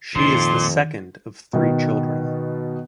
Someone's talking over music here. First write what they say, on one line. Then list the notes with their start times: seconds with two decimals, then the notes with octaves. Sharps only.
She is the second of three children.
0.15 F2 A#2 D#3 C6
1.53 B2 D#3